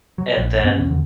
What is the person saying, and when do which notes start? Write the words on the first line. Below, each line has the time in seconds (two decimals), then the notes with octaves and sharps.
And then
0.18 F#3
0.37 A#1
0.63 G2 B3 C#4
0.77 B1 E2 C#4
0.90 E2 D3